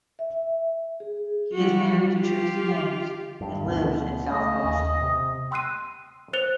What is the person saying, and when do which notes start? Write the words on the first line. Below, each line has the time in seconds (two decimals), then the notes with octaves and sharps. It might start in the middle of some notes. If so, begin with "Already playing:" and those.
He is married to Tracee Hynes and lives in South Boston.
0.19 E5
1.00 G#4
1.54 G3 F#4
2.17 F4 G4
3.41 G2
3.65 D2 B2
4.32 A3 D#5
4.65 D#2
5.01 C3
5.51 G5 C6 E6 F#6 C7 D#7
6.33 C5 F#6 A6 C#7 F7 G7